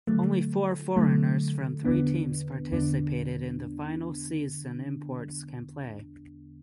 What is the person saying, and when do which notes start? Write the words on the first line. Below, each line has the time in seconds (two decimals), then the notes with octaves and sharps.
Only four foreigners from three teams participated in the final season imports can play.
0.07 D3 F#3 A3
0.96 D3 F#3 A3
1.85 E2 D3 B3 D4
2.72 E2 D3 B3 D4